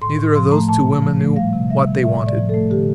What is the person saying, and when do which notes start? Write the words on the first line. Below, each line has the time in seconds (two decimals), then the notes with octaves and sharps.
Neither of those two women knew what they wanted.
0.02 A2 C6
0.19 A2
0.35 F3 C6
0.52 A3 A#5
0.68 A#2 A5
0.86 A#2
1.02 F3
1.19 A3
1.36 G3 F5
1.53 C3
1.70 G3 E5
1.87 C3
2.03 A2 E5
2.21 A2
2.26 D5
2.38 F3
2.49 A4
2.54 A3
2.71 D3 G4